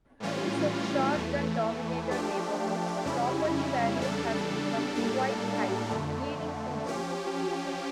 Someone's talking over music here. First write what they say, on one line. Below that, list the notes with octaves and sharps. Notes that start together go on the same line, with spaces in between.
In some shotgun-dominated neighborhoods, property value has become quite high, leading to gentrification.
A2 E3 G3 C#4 F4
E2 E3 A3
F3 A3 D4 G4
F2 C#3 G3 C#4 E4
E2 C#3 G3 D4 A4
A2 G3 A#3 D4 A4
F2 D3 A3
F3 C#4 G4